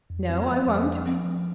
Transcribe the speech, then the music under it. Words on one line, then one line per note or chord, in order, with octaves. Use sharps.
No, I won't.
F2
C4
F3
F2
F3
F3 C4
F3